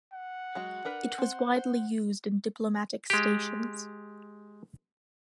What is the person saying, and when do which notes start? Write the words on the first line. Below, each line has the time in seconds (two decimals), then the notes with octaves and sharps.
It was widely used in diplomatic stations.
0.13 F#5
0.55 F#3 G#3 F#4
0.85 D4 A#4 B4
1.18 C4 C5
1.56 C5
3.10 G#3 G4